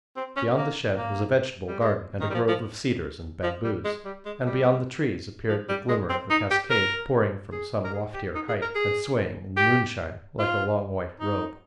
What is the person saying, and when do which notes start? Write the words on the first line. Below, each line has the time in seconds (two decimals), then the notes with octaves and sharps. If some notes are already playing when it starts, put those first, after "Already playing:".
Beyond the shed was a vegetable garden, and a grove of cedars and bamboos; and beyond the trees appeared the glimmer of a cascade, pouring from some loftier height, and swaying in the moonshine like a long white robe.
0.17 C4
0.36 C#4
0.58 A#3
0.97 A#3
1.68 G3
1.80 G#3
2.21 D#3
2.30 G3
2.34 F3
2.48 F3
3.43 F3
3.64 G3
3.85 G#3
4.05 G3
4.26 G#3
4.46 G3
5.48 F3
5.69 G3
5.89 G#3
6.10 C4
6.30 D#4
6.51 G4
6.70 A#4
7.52 G#4
7.85 A#4
7.94 G#4
8.14 G4
8.35 D#4
8.48 G#4
8.62 A#4
8.75 G#4
9.57 G4
10.39 F4
11.20 D#4